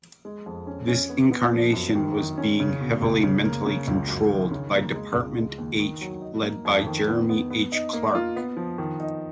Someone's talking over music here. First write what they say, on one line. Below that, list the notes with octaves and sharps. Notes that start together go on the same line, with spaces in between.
This incarnation was being heavily mentally controlled by Department H, led by Jermery Clarke.
G#3
F2
C#4
C#4
B3
B3
F3
F#2
D#3
D#3
C#4
C#3
B2
C#2
C#3
A#3
C#3
C#2
F#2
D#3
C#3
A#3
G#3
C#2
G#3
D#2
D#3
F#3
D#4
A#3
F2
D#3
B3
B3
B3
D#4
A#3
F4
B3
F3
D#3
D#4